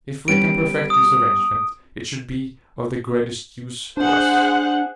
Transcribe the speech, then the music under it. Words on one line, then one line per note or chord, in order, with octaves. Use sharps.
If we can perfect this arrangement it should be of the greatest use to us.
G3 B3 C#4 D7
D#6
D4 G#4 C5 F#5